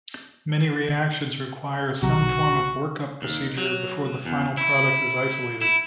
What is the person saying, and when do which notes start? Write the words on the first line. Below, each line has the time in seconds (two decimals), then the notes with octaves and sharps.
Many reactions require some form of work-up procedure before the final product is isolated.
2.02 B1 C3 F#4 A#5
3.22 D#2
3.58 F#3
4.25 E2
4.57 E4
5.61 E4